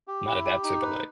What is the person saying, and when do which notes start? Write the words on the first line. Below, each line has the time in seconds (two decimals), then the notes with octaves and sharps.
Not adapt to, but like
0.08 G4
0.26 E4
0.45 G4
0.64 D#4
0.82 B4